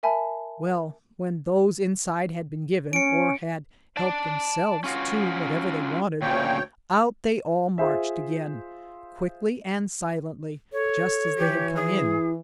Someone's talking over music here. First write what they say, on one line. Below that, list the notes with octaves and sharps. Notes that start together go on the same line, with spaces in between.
Well, when those inside had been given, or had helped themselves to, whatever they wanted, out they all marched again, quickly and silently, just as they had come in.
A#4 E5 G#5 A5 B5
C#4 C#7 D7
D5 A5
C#4 F4 F#4
D2 A#2 C#3 C#5 G5
F4 G#4 C5 E5
A4 C#5
E3 G4
E4 G#4